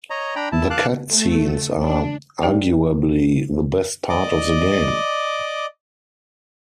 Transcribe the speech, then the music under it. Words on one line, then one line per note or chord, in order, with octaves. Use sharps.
The cut-scenes are arguably the best part of the game.
C#5 D#5 A#5
D4 G5 A#5 B5
E4 A5
F5 A5 D6 F#6
A3
D4
D#4 G4 D5 G5
D5 D#5 D6